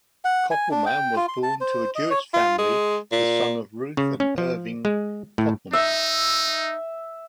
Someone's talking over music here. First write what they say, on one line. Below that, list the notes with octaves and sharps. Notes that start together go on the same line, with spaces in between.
Koppelman was born to a Jewish family, the son of Ruth and Irving Koppelman.
F#5
G#5
D4
G5
F4
C6
A5
C5
D#5
C#5
F4
G#3
A#2
C#3
C#4
F3
G#3
A2
D#4 E5